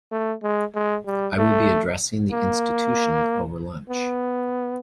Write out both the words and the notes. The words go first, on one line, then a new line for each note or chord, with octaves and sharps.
I will be addressing the institution over lunch.
A3
G#3
G#3
G3
A3
A#3
B3